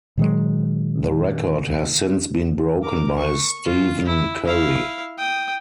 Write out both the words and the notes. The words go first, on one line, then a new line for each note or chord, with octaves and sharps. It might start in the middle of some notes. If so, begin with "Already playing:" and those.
The record has since been broken by Stephen Curry.
A#2 D#3 F#3 G#3
A#4 D6
C#6
F4
E4
E4 F5
G5 D#6